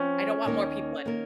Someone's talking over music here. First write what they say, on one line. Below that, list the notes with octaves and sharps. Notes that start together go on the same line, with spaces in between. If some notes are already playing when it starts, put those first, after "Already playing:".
I don't want more people in
Already playing: F3 C4 C#4 F4
D#2 D#3 A#3 D#4 A#4
D#3 A#3 D#4 A#4